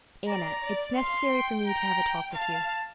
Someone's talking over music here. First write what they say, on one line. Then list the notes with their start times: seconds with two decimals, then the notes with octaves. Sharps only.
"Anna, it's necessary for me to have a talk with you."
0.28 D5 A#5
0.63 D5
0.97 F5 C6
1.32 G5
1.66 A#5
2.35 F5 A5